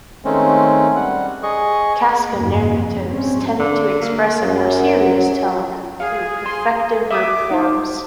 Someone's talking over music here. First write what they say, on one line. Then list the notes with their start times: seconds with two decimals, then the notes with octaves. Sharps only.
Kaska narratives tend to express a more serious tone through perfective verb forms.
0.25 D#3 G#3 A3 C4 C#4
0.96 G3 F#5
1.43 G#4 D#5 C#6
2.30 F#1 D#2 G#2 A#3
2.74 F2
3.08 G#3 C4 C#4
3.60 D3
4.02 A#3
4.42 F#2 F#3
6.00 G#4 F5
6.46 C6
7.11 E5 D6 D#6
7.51 D#4 C5